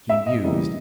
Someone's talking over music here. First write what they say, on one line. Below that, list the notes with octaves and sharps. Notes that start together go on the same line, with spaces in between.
He mused.
E5
D#5
C#3 E3 G3 A#3